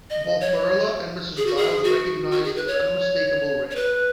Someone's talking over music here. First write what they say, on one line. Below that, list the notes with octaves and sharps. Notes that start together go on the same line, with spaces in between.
Both Marilla and Mrs. Giles recognized its unmistakable ring.
D#5
C#5
G#4
F#4
G#4
F#4
F#4
G#4
B4
C#5
C#5
B4